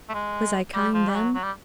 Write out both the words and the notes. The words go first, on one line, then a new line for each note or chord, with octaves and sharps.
Was I kind then?
A3
G#3
G3
F3
G3
F#3
F#3
G3